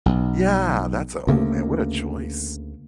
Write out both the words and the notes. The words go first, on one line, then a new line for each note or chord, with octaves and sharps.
Yeah, that's a oh man, what a choice.
B1
D2 C#3 A3 A#3